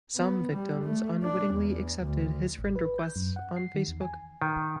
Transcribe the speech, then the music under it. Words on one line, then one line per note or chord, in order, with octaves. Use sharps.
Some victims unwittingly accepted his friend requests on Facebook.
B3
G3
A3
D4
E2
D2
A1
B4
G6
F#2
F#5
C7
D#3
E2
G#5
D#3